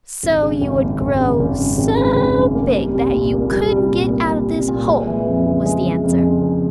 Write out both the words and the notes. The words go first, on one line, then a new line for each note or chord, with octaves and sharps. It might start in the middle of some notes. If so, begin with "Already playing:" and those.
"So you would grow so big that you couldn't get out of this hole," was the answer.
G#1
C#3
G#1
F#2
G#1
C#3
G#1
F#2
G#1
C#3
G#1
F#2
A#3
G3
C2
A#2
A#3
G3
C2
A#2
A#3
G3
C2
A#2
G#3
E3
F2
C#3
G#3
E3
F2
C#3
G#3